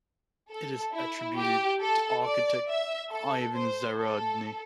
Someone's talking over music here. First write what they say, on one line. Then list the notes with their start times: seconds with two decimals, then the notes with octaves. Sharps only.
It is attributed to architect Ivan Zarudny.
0.51 A4
0.95 E4
1.37 G4
1.81 A4
2.24 D5
2.68 E5
3.12 A4
3.55 C5
3.99 A4